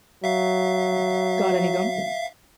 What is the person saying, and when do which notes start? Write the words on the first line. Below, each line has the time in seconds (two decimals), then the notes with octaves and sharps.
Got Any Gum?
0.24 F#3 E5 F5